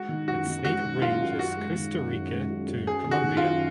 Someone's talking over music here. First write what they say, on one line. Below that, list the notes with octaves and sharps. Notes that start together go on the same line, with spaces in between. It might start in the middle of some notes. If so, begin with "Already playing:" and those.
Its native range is Costa Rica to Colombia.
Already playing: G#3 F#4
D#3
F#2 F#4
D#3
G#3 F#4
F#2
F#2 F4
F#2
F#2 F#4
G#3
D#3
F#2
F#2
G#3
F#2
F#2
F#2 G#4
D#3
F#4
D#3
F4
F#2